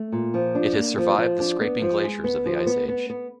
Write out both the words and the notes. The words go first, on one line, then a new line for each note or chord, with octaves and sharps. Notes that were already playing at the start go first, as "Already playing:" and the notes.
It has survived the scraping glaciers of the ice age.
Already playing: A3
A#2
F3
D4
A#3
F3
F3
D4
B3
F3
G#3
B3
F3
B3
B3
B3